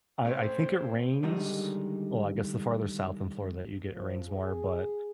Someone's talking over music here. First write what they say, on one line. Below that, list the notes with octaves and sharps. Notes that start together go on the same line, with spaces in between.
I I think it rains well I guess the farther south in Florida that you get, it rains more, but
A1 A2 C4 C#5
D3 D#3 G3 G#3 D#4
F3
G#4